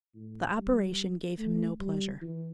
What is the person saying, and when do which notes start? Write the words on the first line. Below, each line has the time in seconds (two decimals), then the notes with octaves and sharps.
The operation gave him no pleasure.
0.15 A2
0.57 G3
1.39 A3
1.80 G3
2.22 E3